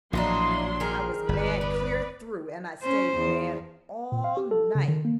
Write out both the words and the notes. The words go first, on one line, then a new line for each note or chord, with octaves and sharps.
I was mad clear through, and I stayed mad all night.
A#1 A2 E3 F#3 A#3 D4 D#4 C6
D#3 G#4 A#4
G1 E2 B4 D5
B3
C#4 C5
E2
A#2
F5
G4
A4
C#3
D#3
A#3